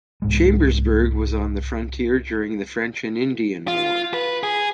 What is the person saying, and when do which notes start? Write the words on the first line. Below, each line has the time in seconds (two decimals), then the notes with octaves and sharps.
Chambersburg was on the frontier during the French and Indian War.
0.22 C2 G#2 G#3
3.68 F4
4.14 B4
4.43 G#4